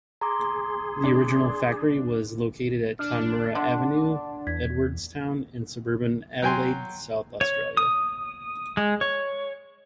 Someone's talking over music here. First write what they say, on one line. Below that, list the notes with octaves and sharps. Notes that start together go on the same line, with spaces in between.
The original factory was located at Conmurra Avenue, Edwardstown in suburban Adelaide, South Australia.
G#4 A#5 C6 D6
D4
D4 F6
D3 F#5 C6
E2 G#6 B6
F#3 G5 G#5 C6
C#5
D#6
G#3
C#5